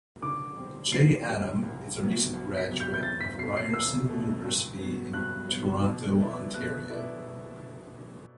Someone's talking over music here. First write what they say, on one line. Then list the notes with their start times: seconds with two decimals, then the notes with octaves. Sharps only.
J. Adam is a recent graduate of Ryerson University in Toronto, Ontario.
0.22 D3 D6
0.57 G3 C4
0.92 D3 C7
1.28 G3 C4
1.63 C2
1.98 C3 F#3 B3
2.33 C2
2.57 B6
2.68 C3 F#3 B3
2.80 G6
2.94 G6
3.03 E2 A6
3.21 B6
3.38 B2 A3 C7
3.57 C7
3.73 E2 E6
4.08 B2 A3
4.44 G2
4.79 F#3 B3
5.13 G2 F#6
5.48 F#3 B3
5.84 B2
6.19 A3 E4 B4 D5
6.54 B2 F#6
6.89 A3 E4 B4 D5